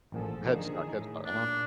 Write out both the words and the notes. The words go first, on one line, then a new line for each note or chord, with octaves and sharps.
Headstock Headstock, uh-huh.
A1 A#2 F3 G#4 A4
D3 D#3 F3 A#3 G#4
A2 D#4
A#2 A#3 D4